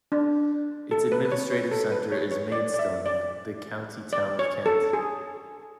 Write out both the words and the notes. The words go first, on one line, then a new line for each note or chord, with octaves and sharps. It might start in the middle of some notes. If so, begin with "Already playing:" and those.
Its administrative centre is Maidstone, the county town of Kent.
D4
A4
B4
B4
C#5
C#5
A4
B4
C#5
C#5
D5
D5
E5
D5
D5
C#5
A4
G#4